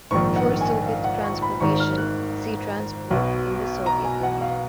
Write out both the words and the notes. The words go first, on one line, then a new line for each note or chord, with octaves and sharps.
For Soviet transportation, see Transport in the Soviet Union.
A#1 G#2 D#3 C#6
F#5
G#5
F5
F#5
C#6
B5
G#1 G#2 D#3 C#6
F6
F#6
B1 B2
A#5
G#5
F#5
F5